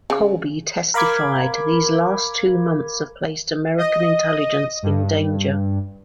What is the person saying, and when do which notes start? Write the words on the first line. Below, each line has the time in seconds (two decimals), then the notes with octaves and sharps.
Colby testified, These last two months have placed American intelligence in danger.
0.10 C#3
0.94 A#4 F5 B5 D6 G#6
3.78 D#5
4.82 G2